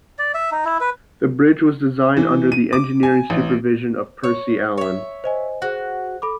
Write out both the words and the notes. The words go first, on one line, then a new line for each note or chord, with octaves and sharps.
The bridge was designed under the engineering supervision of Percy Allan.
D5
E5
D#4
E4
B4
E3
D#7
D6
G#5
A1
C#5
C#5 E5
C5 D#5 G#5
F#4 G#4 C5 F#6
A4 B5 D6